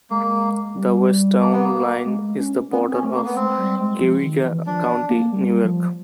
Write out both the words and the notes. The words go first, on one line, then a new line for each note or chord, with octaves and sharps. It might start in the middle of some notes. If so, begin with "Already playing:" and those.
The west town line is the border of Cayuga County, New York.
G#3 A#3
G3
A#3
B3
A#3
G#3
C#4
B3 C4
C#4
A3
A#3
B3
G#3 C4
G3
G#3
F3
D#3
E3
F3 D4
A#3
G3
F3